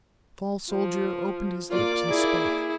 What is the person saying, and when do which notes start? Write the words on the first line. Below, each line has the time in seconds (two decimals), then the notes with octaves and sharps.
The tall soldier opened his lips and spoke.
0.70 F3
1.70 A#3 F4 D5 D6
2.07 E4 G#4